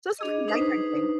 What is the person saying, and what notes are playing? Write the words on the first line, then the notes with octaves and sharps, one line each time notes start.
Just a little nighttime thing.
D4 G#4 D#5
D4 D#4 B4 C5